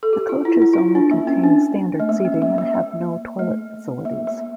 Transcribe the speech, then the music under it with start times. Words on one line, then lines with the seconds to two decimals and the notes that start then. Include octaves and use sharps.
The coaches only contain standard seating and have no toilet facilities.
0.03 A4
0.13 G4
0.29 F4
0.45 E4
0.62 E4
0.73 F4
0.78 E4
0.95 D4
1.11 A#3
1.27 C#4
1.44 D4
2.00 A3
2.09 A#3
2.25 C#4
2.42 A#3
2.58 A#3
2.74 A#3
3.39 A3
4.05 A#3
4.27 A#3